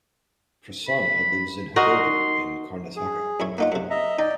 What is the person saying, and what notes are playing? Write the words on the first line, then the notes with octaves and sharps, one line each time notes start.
Prasanna lives in Heggodu in Karnataka.
B5
D#4 F#4 A#4 C6
G#4
F#2 E4 C#5
A#3 D#4 F4 F#5
F#2 C3
D#5 E5 A#5
D#4 D5 D#5 G5